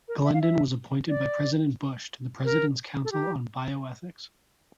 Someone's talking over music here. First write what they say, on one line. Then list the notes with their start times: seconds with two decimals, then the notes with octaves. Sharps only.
Glendon was appointed by President Bush to the President's Council on Bioethics.
0.08 A#4
0.25 E5
0.34 F5
0.41 E5
1.09 D5
2.45 A#4
3.04 A4
3.12 G4